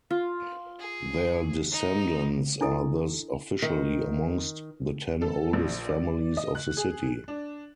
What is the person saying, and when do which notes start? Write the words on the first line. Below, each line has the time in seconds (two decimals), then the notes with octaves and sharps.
Their descendants are thus officially amongst the ten oldest families of the city.
0.11 F4
0.80 G#4
1.72 D#4
2.61 D4 E4 A4 D#5
3.62 D#3
5.22 A4
5.53 A#1
5.89 D5
6.37 D#5
6.55 F#6
6.77 G#4
7.28 D4